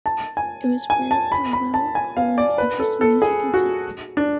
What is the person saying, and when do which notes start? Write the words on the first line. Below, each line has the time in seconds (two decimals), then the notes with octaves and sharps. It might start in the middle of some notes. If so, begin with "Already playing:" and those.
It was where Bilal grew an interest in music and singing.
0.06 A5
0.37 G#5
0.90 G#5
1.11 A5
1.32 B5
1.53 B5
1.74 A5
1.95 G#5
2.17 F5
2.38 D5
2.58 B4
2.80 A4
3.01 A4
3.22 G#4
3.54 F#4
4.17 D4